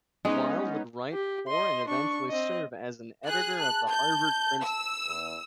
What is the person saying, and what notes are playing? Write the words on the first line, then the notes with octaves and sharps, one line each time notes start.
Weil would write for and eventually serve as an editor of the Harvard Crimson.
G#3 B3 C#4 D#4
G4
D#5 C6
D4 C#6
C4 D#5
G#4 F#6
A5 F#6
G6
E6
E2